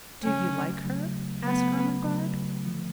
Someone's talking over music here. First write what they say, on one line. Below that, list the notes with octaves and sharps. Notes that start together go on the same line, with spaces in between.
"Do you like her?" asked Ermengarde.
C#3 F#3 A3 C#4
C#3 F#3 A3
C#3 F#3 A3 B3
C#3 F#3 A3
D3 F3 A3